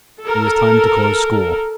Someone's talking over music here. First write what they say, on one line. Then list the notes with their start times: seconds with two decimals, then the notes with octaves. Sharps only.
It was time to close school.
0.22 A4 A#4